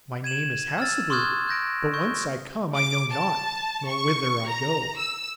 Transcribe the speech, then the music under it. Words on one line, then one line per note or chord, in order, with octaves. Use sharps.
'My name is Hassebu, but whence I come I know not, nor whither I go.'
G#6 D#7 E7 F#7
E6 F6 A6
C6 C#6 D#6 F6 F#6 G#6
F#6 G6 A#6 D7
C#6 G6
D6
A5
C#6
A#5
E6